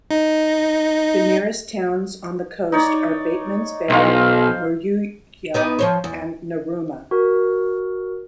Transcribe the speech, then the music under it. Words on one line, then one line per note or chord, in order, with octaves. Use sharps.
The nearest towns on the coast are Batemans Bay, Moruya and Narooma.
D#4
D#4 C#5 D5
B1 C5 F5
B3 D#4 D5
F3 C5 C#5
E2
F#4 A#4